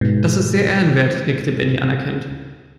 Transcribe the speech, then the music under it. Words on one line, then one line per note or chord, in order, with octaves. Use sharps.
"Das ist sehr ehrenwert", nickte Benny anerkennend.
G#2 B2